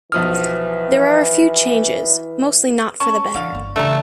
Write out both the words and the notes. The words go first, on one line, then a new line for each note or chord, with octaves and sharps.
There are a few changes, mostly not for the better.
B1 E3 F3 D#6 F6
C#4 A5 C#6
D3 E3 F5
G1 A#3
C#3 E3 A3 D4 A#5